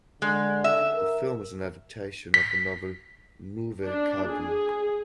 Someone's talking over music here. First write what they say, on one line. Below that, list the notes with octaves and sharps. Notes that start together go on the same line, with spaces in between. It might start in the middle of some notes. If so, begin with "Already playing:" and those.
The film is an adaptation of the novel "Nuvve Kaadu".
D3 G#3
E5
A#4
B6
D4
G#4